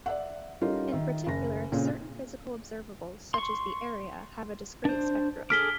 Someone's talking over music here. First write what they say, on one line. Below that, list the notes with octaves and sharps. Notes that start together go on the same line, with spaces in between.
In particular, certain physical observables, such as the area, have a discrete spectrum.
D5 E5 F#5
G3 C#4 D#4 F4 A4 A#4
D#3 E5
F#1 A#6
A#2 C#3 C4 C#4 A4
C6 C#6
D4 C5
G#4 A4 D6 F6 B6 G7